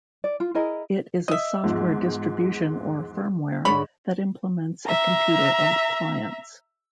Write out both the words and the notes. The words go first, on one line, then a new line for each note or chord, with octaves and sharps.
It is a software distribution or firmware that implements a computer appliance.
D5
F4
E4 G#4 A#4 D#5
D#5 E5
E2 G#2 F3
G#2 D3 C#5 B5
E5 A#5